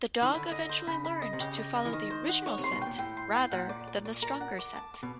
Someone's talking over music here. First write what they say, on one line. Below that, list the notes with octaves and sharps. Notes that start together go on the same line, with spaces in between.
The dog eventually learned to follow the original scent rather than the stronger scent.
D#3
D3 B5
D#5
C5
C#3 B5
B5
D#5
C3
C#3 G4
D#5
D#5
E3
D#3 D#5
C5
F#5
C#5
C3
C6
B2
A#2 G5
A2 G5
C6
G5
A#2 F#5
D5
D5
D5
A#4
F#5
D6
A5
D6
B2